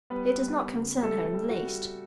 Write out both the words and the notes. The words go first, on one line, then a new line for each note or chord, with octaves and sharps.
It does not concern her in the least.
G3 B3 B4
G3
C#3
G3 A3 A4
G3
F#4
G3